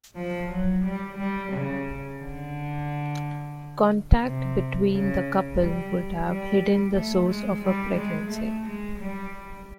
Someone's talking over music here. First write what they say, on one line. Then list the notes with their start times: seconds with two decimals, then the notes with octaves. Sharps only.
Contact between the couple would have hidden the source of her pregnancy.
0.16 F3
0.50 F#3
0.84 G3
1.17 G3
1.53 C#3
2.20 D3
4.24 C3
4.92 C#3
5.59 G3
6.28 G3
6.94 A3
7.29 G#3
7.63 G3
7.97 G#3
8.31 A3
8.65 G#3
8.99 G3